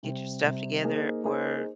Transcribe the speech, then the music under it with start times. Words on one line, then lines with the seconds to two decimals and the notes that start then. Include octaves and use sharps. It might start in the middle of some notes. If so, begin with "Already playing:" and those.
"Get your stuff together or
0.03 C3 G3 C4
0.44 C3 G3 C4
0.84 A#3 D#4 G#4 C5
1.24 A#3 D#4 G#4 C5